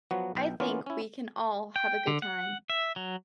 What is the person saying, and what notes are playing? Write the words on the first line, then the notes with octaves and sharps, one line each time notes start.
I think we can all have a good time.
F3 F#3 B3 F#4
B1 B2 G5
E3 A#3 B3 C#4 F4
C#4 E4
G5
D3
F#5
E5
F#3